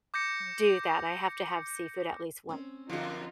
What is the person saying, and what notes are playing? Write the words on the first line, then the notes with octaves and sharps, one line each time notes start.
do that, I have to have seafood at least once a week.
D6 G6 A#6 C#7
C4 C#4
F#2 D3 F3 D#4 F4